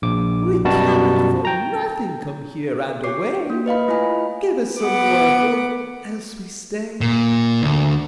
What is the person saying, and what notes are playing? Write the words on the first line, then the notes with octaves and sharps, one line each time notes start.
"We cannot for nothing come here, and away. Give us some work, or else we stay."
A#1 D6
F#2 B2 G3 F#4 A5
G5 A#5
G4 C#5 D6 C7
A#3
B4 D#5 F5 B5
A3 E4 F4 D#5 G#5 B5
B3 F#5 D6
A#2
D2